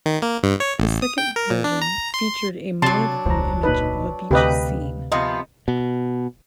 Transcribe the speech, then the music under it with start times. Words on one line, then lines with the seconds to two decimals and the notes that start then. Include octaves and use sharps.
The second version featured a monochrome image of a beach scene.
0.06 D#3
0.22 A#3
0.43 G2
0.60 C#5
0.80 A1
1.02 D#6
1.18 G5
1.36 A#4
1.50 A#2
1.64 D4
1.82 A#5
2.14 C6
2.82 C3 F#3 D4 A5 C6
3.26 E1 C#2 C5 A#5
3.63 A#2 D#4 B4 D#5
4.31 D2 C3 G4 B4 D#5 F5
5.12 C3 F3 B3 D#5
5.68 B2